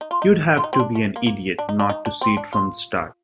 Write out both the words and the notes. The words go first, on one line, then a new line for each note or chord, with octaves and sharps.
You'd have to be an idiot not to see it from the start.
D#4
F4
D#4
F4
D#4
C4
D4
A3
A#3
A#3
D4
D#4
D4
D#4
D4
C4
D4
F4